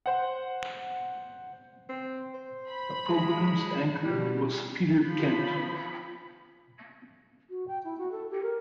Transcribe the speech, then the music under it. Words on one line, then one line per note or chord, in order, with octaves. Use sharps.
The program's anchor was Peter Kent.
C5 F#5
C4
C5
B5
G#3
B2 G3
F3 B5
F#4
G5
E4
F#4
A4
G4
A#4